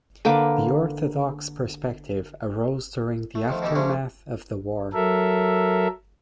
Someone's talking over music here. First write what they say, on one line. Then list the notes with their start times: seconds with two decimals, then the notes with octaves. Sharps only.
The Orthodox perspective arose during the aftermath of the war.
0.25 D3 A#3 B4 D6
3.35 A3
3.48 D#3 F3 A3
3.62 B2 D#3 E3 D#4 G4 A4
3.75 C3 F3 G3 A3 C#4 D4
4.93 F#3 A4 A#4 E5